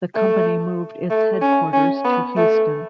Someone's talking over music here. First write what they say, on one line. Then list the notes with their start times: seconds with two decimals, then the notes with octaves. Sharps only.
The company moved its headquarters to Houston.
0.15 A3
1.10 A3
1.41 C#4
1.73 C#4
2.05 B3
2.36 A3